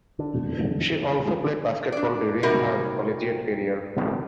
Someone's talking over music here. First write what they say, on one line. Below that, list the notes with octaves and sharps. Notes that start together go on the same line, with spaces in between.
She also played basketball during her collegiate career.
D3
D4 D5
C3 G3 C#4 D#4 F#4 A#4